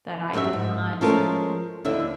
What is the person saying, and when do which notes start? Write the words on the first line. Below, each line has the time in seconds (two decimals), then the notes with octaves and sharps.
That I did not,
0.33 F#2 A#3 F#4 G4 E5
0.53 G#2
1.01 F3 G#3 A3 C#4 F4 A#4
1.85 D#2 D3 E4 E5